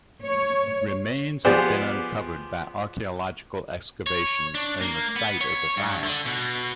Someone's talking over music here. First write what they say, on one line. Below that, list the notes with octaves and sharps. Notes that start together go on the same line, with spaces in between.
Remains have been uncovered by archaeological excavations on the site of the fire.
C#5
F3 B3 G4 G#4 C5 D5
C#5
D4
A#3
B3
C#5
G2
D3
B2